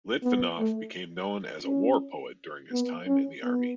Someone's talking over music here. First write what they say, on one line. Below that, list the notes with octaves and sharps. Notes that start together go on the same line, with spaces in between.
Litvinoff became known as a war poet during his time in the Army.
B3
A3
C#4
B3
C#4
B3